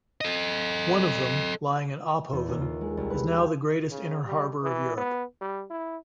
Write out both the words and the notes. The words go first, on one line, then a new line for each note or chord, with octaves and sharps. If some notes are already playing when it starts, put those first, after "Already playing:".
One of them, lying in Ophoven, is now the greatest inner harbour of Europe.
A4 D#5
E2
D#2
F4
G#3
C2
B4
G5
C#3
G3
E3
B3
G3
E4